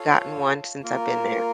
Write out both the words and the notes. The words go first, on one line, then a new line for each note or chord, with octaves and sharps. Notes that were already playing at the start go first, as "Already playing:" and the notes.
gotten one since I've been there.
Already playing: F4 A4 C#5 F5
A#3 F4 A#4